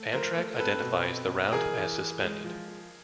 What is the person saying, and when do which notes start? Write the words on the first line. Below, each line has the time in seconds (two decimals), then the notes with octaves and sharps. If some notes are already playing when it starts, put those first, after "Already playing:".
Amtrak identifies the route as suspended.
Already playing: A3
0.13 F3 A#4 C5
0.37 A3
0.59 C4 A4 B4
0.82 B2
1.06 C4
1.29 B2
1.52 E3 G#4 A#4
1.75 E3
1.98 E3
2.22 G#3
2.44 F3
2.68 F3